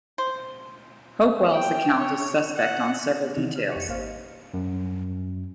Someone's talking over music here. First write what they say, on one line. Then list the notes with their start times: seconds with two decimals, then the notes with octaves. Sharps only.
Hopewell's account is suspect on several details.
0.18 C5
1.52 G5
1.98 C#5
2.57 F#5
3.37 C3 D#3 E3 D#4
3.56 F6
3.72 F2 G4 C#6 C#7
3.88 G#1 A#3 C5 F5 F6
4.01 D#5
4.54 F#2